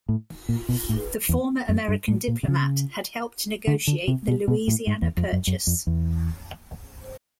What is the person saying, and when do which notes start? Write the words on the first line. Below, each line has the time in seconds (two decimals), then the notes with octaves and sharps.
The former American diplomat had helped negotiate the Louisiana Purchase.
0.09 A2
0.49 A#2
0.69 B2
0.89 A2
1.29 E2
1.69 F#2
1.88 G2
2.08 A2
2.28 A#2
2.43 C3
2.48 C#3
3.67 D3
3.87 D3
4.07 C3
4.28 B2
4.48 B2
4.68 A2
4.87 G#2
5.02 E2
5.17 F2
5.32 F#2
5.47 F#2
5.67 F2
5.87 E2